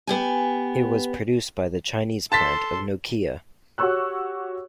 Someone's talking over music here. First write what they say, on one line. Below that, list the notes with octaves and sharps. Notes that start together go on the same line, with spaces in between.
It was produced by the Chinese plant of Nokia.
B3 G4 G#5
A4 A5 C6 A6 B6
F#4 G4 C#5 C#6 E6 F#6